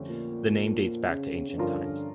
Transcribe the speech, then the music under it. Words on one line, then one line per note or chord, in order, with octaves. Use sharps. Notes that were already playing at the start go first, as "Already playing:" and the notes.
The name dates back to ancient times.
Already playing: F2 D3 A3 C#4 G4
A#2
C#3
C#3
G2 D3 F3 C#4 F4 A#4
D3